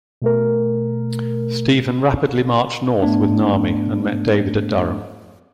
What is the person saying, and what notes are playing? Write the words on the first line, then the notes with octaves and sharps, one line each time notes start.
Stephen rapidly marched north with an army and met David at Durham.
B2 A3 A#4
G#2 A3 B3 D4